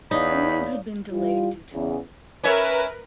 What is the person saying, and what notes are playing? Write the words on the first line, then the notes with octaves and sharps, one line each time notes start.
The move had been delayed due to legal problems.
E2 D#4 C#5 D5 F5 B5
G3 E4 F4
E2 C#3
C#4 A#4 B4 C#5 E5